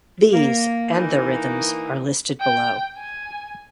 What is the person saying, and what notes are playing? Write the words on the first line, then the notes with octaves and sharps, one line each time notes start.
These, and their rhythms, are listed below.
A#3
E3 A#3 D#4
G5
G#5